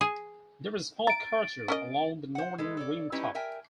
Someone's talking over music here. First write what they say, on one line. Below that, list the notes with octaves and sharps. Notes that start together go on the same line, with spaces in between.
There is a small crater along the northern rim top.
G#4
A#5 A6 D7
C#4 A#4 D#5
C5 F#5
G#3 A4 B4
A4 C#5 D5
G3 C#4 D#4 E4 B4
A#4 E5 G5 G#5